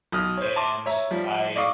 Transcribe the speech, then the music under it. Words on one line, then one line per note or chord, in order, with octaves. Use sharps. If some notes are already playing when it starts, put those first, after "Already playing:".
and I
B1 D#6 F6
C5 C#5
A5 C6 D6
C#5 E5 A#5
F3 G3
D5 D#5 F5 C#6 D6